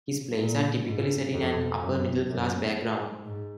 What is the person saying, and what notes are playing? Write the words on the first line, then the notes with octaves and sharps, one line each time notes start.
His plays are typically set in an upper-middle-class background.
A#2
G#2
F2
F#2
F#2
G#2